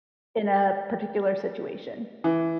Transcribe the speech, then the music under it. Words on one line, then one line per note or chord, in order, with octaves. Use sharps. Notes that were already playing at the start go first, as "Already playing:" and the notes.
in a particular situation.
E3